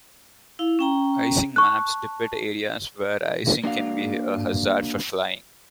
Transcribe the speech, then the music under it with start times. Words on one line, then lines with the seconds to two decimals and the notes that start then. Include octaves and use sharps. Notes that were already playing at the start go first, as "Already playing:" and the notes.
Icing maps depict areas where icing can be a hazard for flying.
0.59 E4 F5
0.79 C#4 G5 A#5
1.56 A5 C#6 F#6
3.64 A#3 D4 F#4 F5